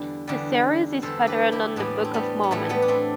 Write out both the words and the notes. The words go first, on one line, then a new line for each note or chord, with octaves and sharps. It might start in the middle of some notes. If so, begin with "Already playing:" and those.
The series is patterned on the Book of Mormon.
Already playing: E2 D3 G3
E2 D3 G3
E2 D3 G3 A4 C5
G4 B4
E4 G4
A2 E3 G3 B3 D4
C4
G3 B3
B3
A2 E3 G3 A3
G3 B3
D4
A3 C4